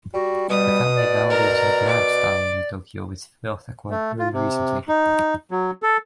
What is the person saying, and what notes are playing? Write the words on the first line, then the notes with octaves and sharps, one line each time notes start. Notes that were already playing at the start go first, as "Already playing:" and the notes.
The family now lives in grand style near Tokyo, with wealth acquired very recently.
G3 F#4
B2 G3 D#6
D5
A#4 A#5
D6
A3
F4
C3
D#4
F#3
A4